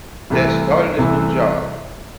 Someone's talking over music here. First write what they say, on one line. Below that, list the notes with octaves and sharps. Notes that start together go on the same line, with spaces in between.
that's starting this new job
C2 C3 E3 A3
C2 C3 E3 A3